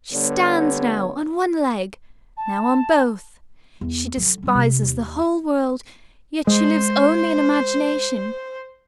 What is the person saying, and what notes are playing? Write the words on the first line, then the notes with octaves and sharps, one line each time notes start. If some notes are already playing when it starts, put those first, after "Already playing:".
She stands now on one leg, now on both; she despises the whole world; yet she lives only in imagination.
D3 G3 B3 C#5
A5
E2
D3 F#3
G3 C#4
C3
D#2
G#3 C5